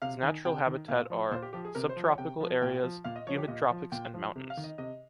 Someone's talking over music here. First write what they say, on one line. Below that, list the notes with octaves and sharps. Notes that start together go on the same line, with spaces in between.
His natural habitat are: subtropical areas, humid tropics and mountains.
C3 F5
D#3 G#5
C3 G5
D#3
A#2 F5
F3
A#2 C5
G4
F3 G4
G#4
C3 A#4
C5
F3
C#5
C3 G5
F3
A#2 G5
F3
A#2 F5
D#5
F3 C#5
G4
A#2 D#5
F3
A#2 G5
F3
C3
F5
D#3
D#5
C3 D#5